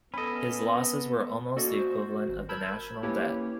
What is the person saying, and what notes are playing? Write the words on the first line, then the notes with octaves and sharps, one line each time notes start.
His losses were almost the equivalent of the national debt.
B3 C#4 A4 D#5 B5
A#3 C#4 F#4 A4 D5 D#5
F#4 C5
G#1
A#4 A5 B5 E6 G6 G#6
A#3 C#4 E4 G4 B4 C#5